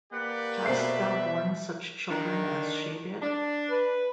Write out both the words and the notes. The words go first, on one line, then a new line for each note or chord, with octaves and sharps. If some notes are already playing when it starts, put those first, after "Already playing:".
Hast thou borne such children as she did?
A#3 G4 B4 D5 F#5
B2 C5 E5 C7
D#3 D4
D4
B4